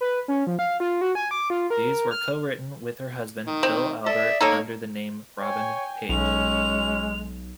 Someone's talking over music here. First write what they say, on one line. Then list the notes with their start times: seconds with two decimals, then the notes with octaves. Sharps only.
These were co-written with her husband, Bill Albert under the name Robin Paige.
0.01 B4
0.28 C#4
0.47 F3
0.59 F5
0.80 F4
1.01 F#4
1.15 G#5
1.31 D6
1.50 F4
1.70 A#4
2.11 F6
3.47 D#3
3.63 C4
4.06 A4 D5 E5
4.41 A#3 D#4 A4 C#5
5.40 C#5 G5 G#5
6.09 B1 G#3 C#4 F7